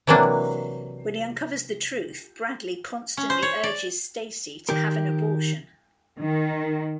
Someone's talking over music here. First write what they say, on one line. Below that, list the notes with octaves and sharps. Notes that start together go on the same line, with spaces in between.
When he uncovers the truth, Bradley constantly urges Stacey to have an abortion.
C3 E3 F#3 A#3 D4
C#4
C5
C#5
D5
D#3 G4 A#4
D#3